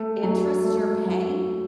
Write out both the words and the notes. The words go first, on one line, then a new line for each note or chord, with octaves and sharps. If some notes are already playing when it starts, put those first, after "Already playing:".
interest you're paying
Already playing: A3
F#3
A3
F#3